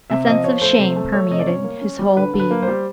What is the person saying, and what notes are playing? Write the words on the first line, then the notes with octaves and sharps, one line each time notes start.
A sense of shame permeated his whole being.
C3 E5
F3 D#5
F3 C#5
A3 C5
C3 C5
A3
A3 C#5
C3 D#5
D5
C#4 C#5
A#3
C#4
G3
D3 B4
D3
B4
A#3
C5
G3